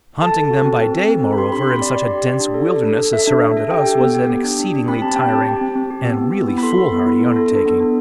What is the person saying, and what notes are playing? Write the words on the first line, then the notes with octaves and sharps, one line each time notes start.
Hunting them by day, moreover, in such a dense wilderness as surrounded us, was an exceedingly tiring and really foolhardy undertaking.
A4 A5
A4
F#4
C4
C4
A4
C4
C4
B5
G4 C6
D4 B5
G4 C6
G4 D5
G4 D5
G4
G4
D4
A4
A4
D4
D4
A4 E5
D4
D4
A4
G4 G5
G4
B3
G4
G4
D4
D4
D4
C4 B5
G4 A5
C4 G5
G4 A5
G4
C4
C4
G4
B3
B3
B3
E4
B5
A4 C6
B3
B3
E4
A4
A4
D4
B3
D4